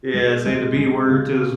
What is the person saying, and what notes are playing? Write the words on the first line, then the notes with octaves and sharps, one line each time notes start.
Yeah, saying the b word to
G#3
G#3
G#3
C#3